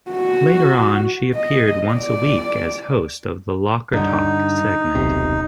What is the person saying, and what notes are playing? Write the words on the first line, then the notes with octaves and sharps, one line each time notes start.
Later on, she appeared once a week as host of the "Locker Talk" segment.
F#4
D#5
D5
G2 D3 D#4
D#1 B1 C3